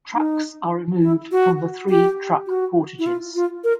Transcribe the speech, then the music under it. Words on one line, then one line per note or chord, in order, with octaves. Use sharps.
Trucks are removed from the three truck portages.
D#4
E4
F#4
G4
F#4
E4
F4
F4
A#4